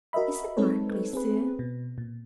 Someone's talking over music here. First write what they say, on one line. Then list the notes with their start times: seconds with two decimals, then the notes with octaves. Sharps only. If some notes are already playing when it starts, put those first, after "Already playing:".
Is it likely, sir?
0.13 F#4 A#4 D#5 E5 B5
0.57 G#3 C4 D#4 A4 B4 C#5
1.13 C4 G#4 B4
1.59 B2
1.98 A#2